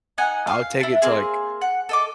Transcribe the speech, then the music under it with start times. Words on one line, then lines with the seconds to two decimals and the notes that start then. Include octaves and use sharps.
I'll take it to, like,
0.18 D#4 D#5 F#5 G#5
0.47 F5
0.81 D4 E4
1.02 A#3 C4 G#4
1.61 F#5
1.89 A4 D#5 D6